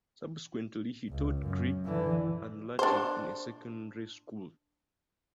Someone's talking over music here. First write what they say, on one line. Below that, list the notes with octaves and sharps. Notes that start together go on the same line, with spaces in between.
Subsequently he taught Greek and Latin in a secondary school.
C#2
F#2
D3 E3
D4 C5